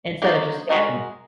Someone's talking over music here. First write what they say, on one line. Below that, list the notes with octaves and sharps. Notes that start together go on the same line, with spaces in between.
instead of just standing
F#3 A#3 D#4 F#4 C5
G#3 C4 F#4 A#4 D#5